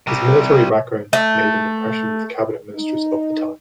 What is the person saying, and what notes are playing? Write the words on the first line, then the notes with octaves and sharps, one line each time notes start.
His military background made an impression with cabinet ministers of the time.
C3 G3
A3
D#4